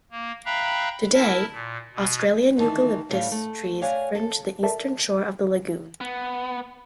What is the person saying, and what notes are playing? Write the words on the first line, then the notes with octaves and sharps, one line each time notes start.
Today, Australian eucalyptus trees fringe the eastern shore of the lagoon.
A#3
E5 F5 G5 A#5 B5 F#6
E4 A#4 E5 A5
A#2
B2
D2 D#3 E3 A5
A2 D3 G3 B3 B4 F5
A3
C#5 D5 F5 F#5 G#5
A4
A4 A#4 D5 E5 A5
B3